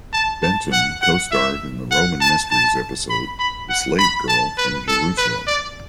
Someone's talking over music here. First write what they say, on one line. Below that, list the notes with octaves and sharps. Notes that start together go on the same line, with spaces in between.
Benton co-starred in the Roman Mysteries episode "The Slave Girl from Jerusalem".
A5
A5
F#5
F#5
E5
F#5
A5
A5
B5
B5
F#5
B5
A5
B4
A4
B4
D5